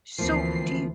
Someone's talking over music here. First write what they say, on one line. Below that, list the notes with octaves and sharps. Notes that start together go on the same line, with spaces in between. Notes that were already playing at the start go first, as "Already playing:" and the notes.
So, do you
D2 E3 F3 A#3 C4 C7